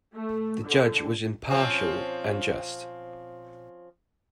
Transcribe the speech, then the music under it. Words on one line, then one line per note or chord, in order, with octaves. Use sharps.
The judge was impartial and just.
A3
D3
F3 C4 C#4